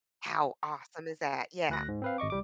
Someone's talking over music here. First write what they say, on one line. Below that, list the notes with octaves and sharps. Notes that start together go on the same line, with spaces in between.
How awesome is that, yeah.
D2 F#6 A#6
G#2
C4 B4 F5
G#1 D#5 C#6 D6
C2 G3 D6